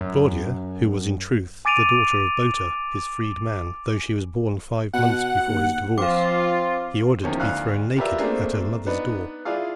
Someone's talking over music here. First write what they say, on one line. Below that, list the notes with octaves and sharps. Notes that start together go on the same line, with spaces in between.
Claudia, who was, in truth, the daughter of Boter his freedman, though she was born five months before his divorce, he ordered to be thrown naked at her mother's door.
F#2
G#5 D6 A6 D7 D#7 F7
B2 F#5
D#2
F3 C4 F4 F5 D6
E2 D#3 F3 C#4 F4
D2 F5 F#6
F4 G4 A#4 B4 D5 E5
A3 A#3 C4 D4 G#4
B3 D4 D#4 B4
E4 F4 G#4 D5 F5